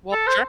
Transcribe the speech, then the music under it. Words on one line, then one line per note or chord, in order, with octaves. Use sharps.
Well, sure.
A4
C5